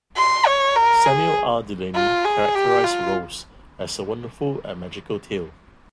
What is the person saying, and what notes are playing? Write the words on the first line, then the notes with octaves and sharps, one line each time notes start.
Samuel R. Delany characterized "Rose" as a "wonderful and magical tale".
C6
C#5
A#4
G#4
F4
G#4
G4
F4